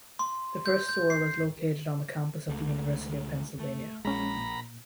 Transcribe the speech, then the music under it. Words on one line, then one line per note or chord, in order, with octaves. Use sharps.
The first store was located on the campus of the University of Pennsylvania.
C6
G6
G6
C7
C#2 A3
A3
A#1 G#3 C#4 A#5 B5
A#2